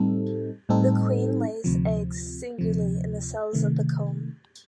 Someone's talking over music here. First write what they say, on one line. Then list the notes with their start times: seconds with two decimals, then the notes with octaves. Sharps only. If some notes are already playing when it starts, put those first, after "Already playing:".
The queen lays eggs singly in cells of the comb.
Already playing: A2 G3 C4 D#4 A4
0.69 A2 G3 C4 D#4 A4
1.64 D2 C3 F3
2.58 D2 C3 F3
3.53 C3 D#3 A3